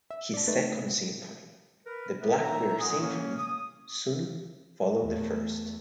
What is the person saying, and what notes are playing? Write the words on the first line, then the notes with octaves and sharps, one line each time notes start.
His Second Symphony, the "Blackbird Symphony", soon followed the first.
E5
D5 A5
A3 D#4 B4 A6
A#4 B4
B3 G4 A#4 B4 E5
D#4 C#5 E5 A#5
A#2 A3 F#5 G#5 D#6
A#3 C#4
D#6
E2 A3